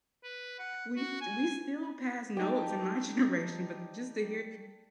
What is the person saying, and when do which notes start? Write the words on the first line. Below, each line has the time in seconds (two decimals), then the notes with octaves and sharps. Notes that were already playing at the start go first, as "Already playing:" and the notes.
We st we still pass notes in my generation, but just to hear
0.23 B4
0.59 F#5
0.96 F#4
1.21 G#5
2.37 G3 D#4 G4 G5 A5